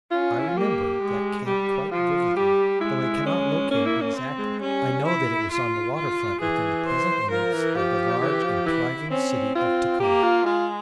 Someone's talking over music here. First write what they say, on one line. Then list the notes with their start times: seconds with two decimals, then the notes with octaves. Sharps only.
I remember that camp quite vividly; though I cannot locate it exactly, I know that it was on the water front within the present limits of the large and thriving city of Tacoma.
0.11 C#4 F4
0.39 E4
0.49 F4
0.56 A#3 G4
1.02 G#3
1.46 G3 G4
1.91 F3 F4
2.36 G3 G4
2.81 G#3 E4
3.26 C#4
3.71 A#3 C#4
3.86 E4
4.01 C#4
4.16 C4
4.38 G#3
4.61 G3 C#4
5.06 E4
5.52 F4
5.96 F4
6.41 E3 G#4
6.86 C5
7.31 F3 A#4
7.53 E3
7.76 F3 G4
8.21 E3
8.44 F3
8.66 E3 E4
9.11 C4 C#4
9.56 C4 F4
10.00 A#3 G4
10.23 F4
10.45 G#3 F4